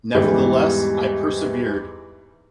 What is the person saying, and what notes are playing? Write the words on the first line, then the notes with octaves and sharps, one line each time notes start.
Nevertheless, I persevered.
E2 G#2 E3 G3